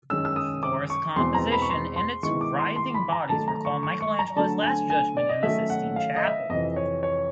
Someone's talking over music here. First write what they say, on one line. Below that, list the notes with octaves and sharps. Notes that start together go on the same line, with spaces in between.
Floris composition and its writhing bodies recall Michelangelo’s Last Judgement in the Sistine Chapel.
F#2 D#3 G#3 C#4 E6
E6
D#6
D6
C#6
E2 B2 G#3 C4 C6
A#5
B5
C#6
C6
C6
D#3 G#3 B3 E4 C#6
D6
C6
C6
B5
A#5
D#3 F#3 A3 A5
A#5
C#6
C#6
C#6
A#5
D3 F#3 A3 A5
G#5
G#5
D5
D#5
D#3 F#3 A3 C#4 E5
F#5
F5
D#5
E5
F2 C3 E3 D#5
C#5
C#5